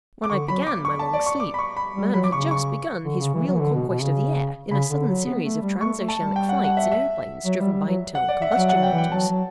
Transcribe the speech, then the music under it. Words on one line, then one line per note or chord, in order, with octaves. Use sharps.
When I began my long sleep, man had just begun his real conquest of the air in a sudden series of transoceanic flights in airplanes driven by internal combustion motors.
D6
D3 C#6
F#3 B5
D6
C#6
A5
D5
C#6
D6
B5
C#6
B5
G3
F#3 B5
D6
C#3 C#6
C#6
D3
C#3
E3
F#3
E3
D3
B2
B2
C#3
C#3 B5
D3
F#3
B3
A3
G3
A3 C#6
A3
A5
G3
G5
F#5
F#5
E5
E5
F#3
G3
G3
F#3
F#5
D5
E5
F#5
F#3 E5
F#5
F#3
G5
E3
G5
F#3 A5
F#3